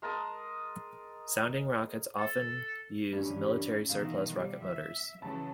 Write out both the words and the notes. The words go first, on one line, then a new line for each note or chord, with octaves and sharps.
Sounding rockets often use military surplus rocket motors.
G#3 A#4 A5 D#6
A4
G2 E3 C#4
B2 D#3 E3 F5
G3
E5
C#3 E3 F#3 A5